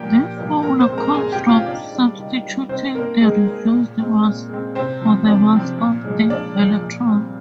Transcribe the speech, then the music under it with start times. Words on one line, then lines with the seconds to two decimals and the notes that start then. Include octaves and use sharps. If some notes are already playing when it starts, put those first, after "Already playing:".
This formula comes from substituting the reduced mass for the mass of the electron.
Already playing: A#2 F3 A#3 D4 G4 G5
0.12 A#2
0.37 F3 A#3 D4
0.63 A#2 A#4 A#5
0.80 C5 C6
0.89 G#3 C4
0.98 A#4 A#5
1.14 A#2 G#4 G#5
1.32 G4 G5
1.40 G#3 C4
1.48 F4 F5
1.66 D#3 D4 D5
1.92 G3 D4
2.18 D#3
2.44 G3 D4
2.69 D#3 C4 C5
2.95 A#3 A#4
2.99 D4
3.21 D#3 G#3 G#4
3.47 A#3 D4
3.72 A#2
3.99 G#3 C4
4.24 A#2
4.49 G#3 C4
4.75 C3 C4 C5
5.01 F3 C4
5.27 C3 D4 D5
5.53 F3 C4
5.78 A#2
6.04 F3 G#3 D4
6.30 A#2 D4 D5
6.56 F3 G#3 D4
6.81 A#2
7.07 G3 C4